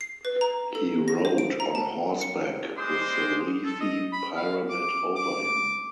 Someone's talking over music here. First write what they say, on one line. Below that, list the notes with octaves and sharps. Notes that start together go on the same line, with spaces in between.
He rode on horseback with the leafy pyramid over him.
C7
B4
A#5
A4
A#6
C5
D7
A#5
A5
C#7
G3 G#3 C5 C6 D6 D#6
A4
D#5
B5
F5
D6
D6